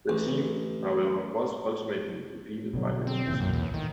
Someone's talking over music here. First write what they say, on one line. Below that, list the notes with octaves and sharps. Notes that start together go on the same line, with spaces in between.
The team, however, was ultimately defeated by The Embassy.
A1
B2 D3 F#3
C4
A#2 C#3 E3
B1 F#2 A#2 F#3
E2
A2 D#3